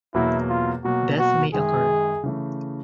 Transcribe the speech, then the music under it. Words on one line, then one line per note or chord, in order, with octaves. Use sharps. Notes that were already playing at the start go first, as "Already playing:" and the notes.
Death may occur.
E2 B2 F#3 A#3 E4
F4
B2 F#3 A#3 F#4
F#4
F#2 D#3 G#3 G#4
C#3 E3 A3